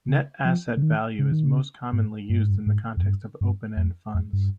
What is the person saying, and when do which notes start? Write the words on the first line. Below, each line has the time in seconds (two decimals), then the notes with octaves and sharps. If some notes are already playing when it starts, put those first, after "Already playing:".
Net asset value is most commonly used in the context of open-end funds.
0.09 C#3
0.45 F3
0.77 C#3
0.82 D#3
1.19 C#3
1.32 D#3
1.45 C#3
1.93 G#2
2.29 G2
2.39 G#2
2.50 G2
2.67 G#2
2.97 F2
3.03 G2
3.41 G2
3.77 F2
4.14 F2
4.33 G2